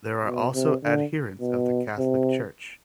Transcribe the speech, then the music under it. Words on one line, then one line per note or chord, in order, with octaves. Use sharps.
There are also adherents of the Catholic Church.
B2
C3
D3
B2
C3